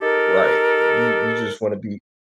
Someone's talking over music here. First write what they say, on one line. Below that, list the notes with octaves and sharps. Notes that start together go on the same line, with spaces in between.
Right, you you just wanna be
D#4 G4 A4 A#4